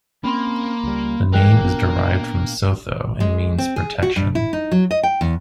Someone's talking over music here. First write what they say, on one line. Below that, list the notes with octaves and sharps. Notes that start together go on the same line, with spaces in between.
The name is derived from Sotho and means 'protection'.
A#3 C4 C#4 B5 C6
C#2 G3
F2 E3 G#3 A#3 A#4 G5 F#6
A#2 B3 D4
G#3
C4
G#4
F#4
G2
E4
D#4
F#3
D#5
G5
E2